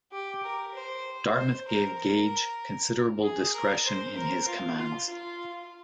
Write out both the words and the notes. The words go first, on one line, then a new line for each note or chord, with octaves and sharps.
Dartmouth gave Gage considerable discretion in his commands.
G4
A#4
C5
C5
A#4
A#4
G#4
A#4
C5
A#4
F4
F4
F4